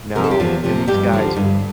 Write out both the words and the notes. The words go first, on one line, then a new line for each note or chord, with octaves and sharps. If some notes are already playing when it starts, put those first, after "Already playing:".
now, and these guys are
C3 F3 A#4
A4
G4
E2 F3 F4
C3 F3
G2 G3 G4
D3 F3
G2